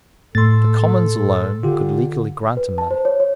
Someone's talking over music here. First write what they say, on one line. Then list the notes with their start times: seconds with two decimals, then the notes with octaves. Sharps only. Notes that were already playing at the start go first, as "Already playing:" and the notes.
The Commons alone could legally grant him money.
0.35 A2 A4 C6 A6
1.63 D3 F4 G4
2.57 B4
2.78 A5
2.91 C5
3.05 C#5
3.20 C#5